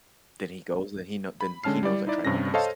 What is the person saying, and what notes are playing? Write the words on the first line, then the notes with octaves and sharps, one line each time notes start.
then he goes, and he know then he knows I tried my best."
B5
D3 G#3 C#4 A5 F6 C7
G3 E4 D5
D#4 E4 D5
G2 C3 C#4 A#6
A4 C5 C#5 D#5 F5 A5